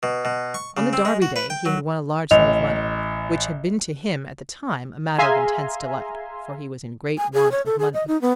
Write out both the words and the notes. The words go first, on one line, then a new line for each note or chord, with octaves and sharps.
On the Derby Day he had won a large sum of money, which had been to him at the time a matter of intense delight,--for he was in great want of money.
B2
B2
C#6
C#3
C4
G#3
F#4
B4
G5
F#3
A1 D#5 F7
G#4 E5 F5 G#5 A#5 C6
G#5
G#4
C#5
A4
G#4
D#5
D#4
B3